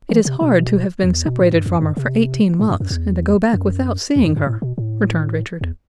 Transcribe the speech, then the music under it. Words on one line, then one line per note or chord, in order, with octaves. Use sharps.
"It is hard to have been separated from her for eighteen months, and to go back without seeing her," returned Richard.
E3
C3
B2
E2
B2
A2
G2
F#2
G2
C3
A2
G2
F#2
E2
F#2
E2
F#2
G2
A2
B2
A2
E2